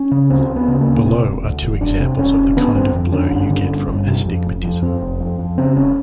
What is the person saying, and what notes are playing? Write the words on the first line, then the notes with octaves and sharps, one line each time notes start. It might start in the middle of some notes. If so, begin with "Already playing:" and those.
Below are two examples of the kind of blur you get from astigmatism.
Already playing: C#4
C#3
D2 C4
D2
B3
C#3
A#3
D2
C3
E1
D2
E1
E1 D4
C3
E1 C#4
E1
D3 B3
G1 C4
F2
D3 C#4
G1
D3
G1
G1
C3
F2
F1
F2
F2 C4
F1
F2
F2
C#3 C4
E1 C#4